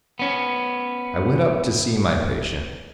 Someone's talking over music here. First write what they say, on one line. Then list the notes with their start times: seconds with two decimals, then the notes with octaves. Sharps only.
I went up to see my patient.
0.19 B3 C#4